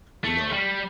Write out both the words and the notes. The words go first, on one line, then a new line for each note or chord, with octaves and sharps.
you know?
A3
G3